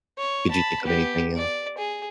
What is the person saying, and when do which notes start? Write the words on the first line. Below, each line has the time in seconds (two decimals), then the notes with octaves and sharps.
could you think of anything else?
0.18 C#5
0.51 A5 B5
0.84 B3 G4
1.36 D5
1.78 G#4